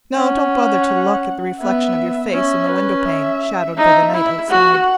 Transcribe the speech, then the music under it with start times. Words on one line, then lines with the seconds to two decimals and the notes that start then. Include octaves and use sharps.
No, don't bother to look at the reflection of your face in the window-pane shadowed by the night outside.
0.16 C#4 F#5
1.60 B3 E5
2.32 C#4 E5
2.68 B4
3.05 E5
3.77 D#4 E5
4.14 E4
4.50 F#4 F#5